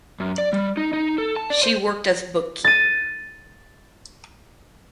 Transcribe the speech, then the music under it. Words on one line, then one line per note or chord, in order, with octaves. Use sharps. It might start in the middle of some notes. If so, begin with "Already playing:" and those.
She worked as bookkeeper.
F#2
D5
G3
D#4
D#4
A4
A5
D5
C5
A6 D#7